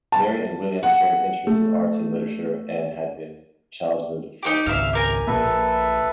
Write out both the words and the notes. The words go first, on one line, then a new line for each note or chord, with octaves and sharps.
Mary and William shared interests in arts and literature and had been childhood friends.
A5
F#5
A3
D#4 F#4 G4
G#1 C#2 E5 F5
G4 A#4 G#5
A#1 A#2 A#3 A4 B4 E5
A#1